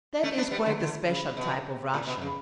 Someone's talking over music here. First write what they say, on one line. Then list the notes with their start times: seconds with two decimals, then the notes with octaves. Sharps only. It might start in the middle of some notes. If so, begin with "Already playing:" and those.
That is quite a special type of Russian.
0.23 A3 C#4
0.37 B3 D4
0.51 G3 B3
0.66 D3 F#3
0.80 D3
1.08 C#3
1.37 B2
1.94 A2
2.07 B2
2.22 C#3